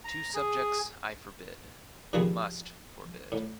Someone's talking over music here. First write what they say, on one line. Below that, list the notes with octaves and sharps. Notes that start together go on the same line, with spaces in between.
Two subjects I forbid — must forbid.
A#5
G#4
C3 D#3 F3 B3 C4 G#4
A2